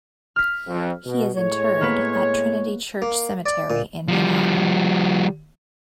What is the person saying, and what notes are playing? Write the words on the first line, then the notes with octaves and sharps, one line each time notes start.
He is interred at Trinity Church Cemetery in Manhattan.
F6 B6
F2
B2
A2 G#3 C#5
A#3 B3 B4
A#3
D5
A#2
F3 G3